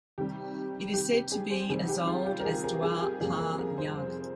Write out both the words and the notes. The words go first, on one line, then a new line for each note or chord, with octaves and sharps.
It is said to be as old as Dwapar Yug.
C3 D#3 G3 G4
G4
G4
G#4
C5
C3 D#3 G3 G#4
G4
F4
G4
A#4
G#4
A#4
G#4
G4
F2 C3 G3 A#3 G#4
A#4
A#4
C5